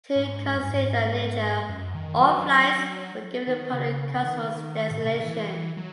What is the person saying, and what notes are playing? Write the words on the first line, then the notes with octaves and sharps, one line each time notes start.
To conceal their nature, all flights were given the public Kosmos designation.
G#2
F#2
G#2
F#2
D#3
F#3
D#3
C#3
C#3
D#3
A2
B2
C#3
D#3
E3
F#3